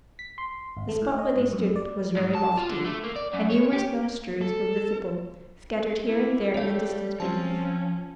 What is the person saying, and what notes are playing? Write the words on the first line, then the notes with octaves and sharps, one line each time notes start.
The spot where they stood was very lofty, and numerous monasteries were visible, scattered here and there in the distance beneath.
B6
C6
G#1
A3
A2
D#5
G#2
F#2
D5
G#2
A5
F4
D3
A3
A#3
D5
F#2
C#5
G4
A4
A#3 E4
G3 A3 G4 C#5 F5
F3 C4 C#4 A5